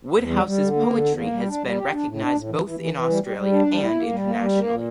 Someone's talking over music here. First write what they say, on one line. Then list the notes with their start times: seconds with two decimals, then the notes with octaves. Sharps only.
Woodhouse’s poetry has been recognised both in Australia and internationally.
0.16 E2
0.31 G3
0.46 G3
0.61 D3
0.76 A#3
0.90 D3
1.05 E2
1.18 A#3
1.33 G3
1.48 D4
1.63 G3
1.77 G4
1.92 D4
2.07 A2
2.21 D4
2.35 A2
2.50 E3
2.64 E3
2.80 E3
2.94 E3
3.09 G3
3.23 G3
3.38 G3
3.52 D4
3.67 G3
3.82 E4
3.96 A#3
4.11 G3
4.26 A#3
4.40 G3
4.55 A#3
4.70 A#2